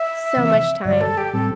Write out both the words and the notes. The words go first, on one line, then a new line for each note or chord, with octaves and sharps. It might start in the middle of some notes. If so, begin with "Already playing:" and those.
So much time.
Already playing: E5
C3 E3 C4
G2 D3 G3 D5
A4
G4
A2 G3 C4 A4